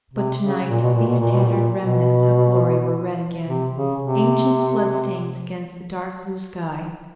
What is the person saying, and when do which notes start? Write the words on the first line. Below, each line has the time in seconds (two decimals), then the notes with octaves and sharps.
But to-night these tattered remnants of glory were red again: ancient bloodstains against the dark-blue sky.
0.13 C3
0.42 C#3
0.69 A#2
0.82 B2
0.94 A#2
1.07 B2
1.20 A#2
1.32 B2
1.44 A#2
1.80 B2
3.46 C3
3.75 C#3
4.02 C3